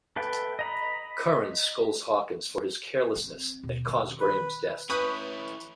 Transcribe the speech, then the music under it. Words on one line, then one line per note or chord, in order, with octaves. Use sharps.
Curran scolds Hawkins for his carelessness that caused Graham's death.
A4 B4 E5 G5
D#5 A#5 B5
C4
D#2 B2
D#3 C#4
B4
C#4 E4 B4 B5 C#6 D#6 G6